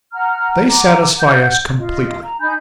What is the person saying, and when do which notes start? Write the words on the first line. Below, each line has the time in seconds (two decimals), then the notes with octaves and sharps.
They satisfy us completely.
0.13 F#5 A#5 F6
0.68 F#5 A#5 D6
1.18 F#5 G6
1.79 F4 D#5
2.22 A#5
2.40 D#4 G#5 B5 G6